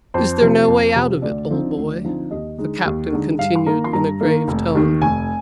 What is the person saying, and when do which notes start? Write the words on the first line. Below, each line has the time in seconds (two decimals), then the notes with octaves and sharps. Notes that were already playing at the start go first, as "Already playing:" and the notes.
"Is there no way out of it, old boy?" the Captain continued in a grave tone.
0.14 F2 C5
0.41 C3 F3 C4
0.68 F2
0.95 C3 F3 C4
1.22 D2 D5
1.50 D3 F3 C4 D#4
1.77 D2
2.03 D3 F3 C4 D#4
2.31 D#2 D#5
2.58 D3 G#3 D#4
2.85 D#2
3.12 D3 G#3 D#4
3.39 G2 F5
3.56 C6
3.66 D#3 A#3 A#5
3.84 C6
3.93 G2 A#5
4.21 D#3 A#3
4.48 F1
4.75 D#2 D#3
5.01 F1 G#5